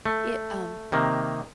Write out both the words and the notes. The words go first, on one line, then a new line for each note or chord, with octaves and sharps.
Ye um
A3
C3 D#3 A#3